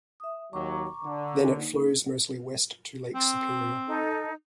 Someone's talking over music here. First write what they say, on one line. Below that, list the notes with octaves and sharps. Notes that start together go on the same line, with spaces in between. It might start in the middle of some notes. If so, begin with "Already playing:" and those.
Then it flows mostly west to Lake Superior.
E5 D#6
D#2 F#3 A#5 C#6 D6
D3
A#3 D#4
C4
D#4 A4